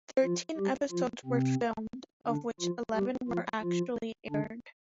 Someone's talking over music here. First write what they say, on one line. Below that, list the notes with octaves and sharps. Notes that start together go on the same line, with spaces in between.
Thirteen episodes were filmed, of which eleven were actually aired.
F3 F4
G3 G4
F3 F4
C3 C4
D3 D4
F3 F4
G3 G4
F3 F4
F3 F4
D3 D4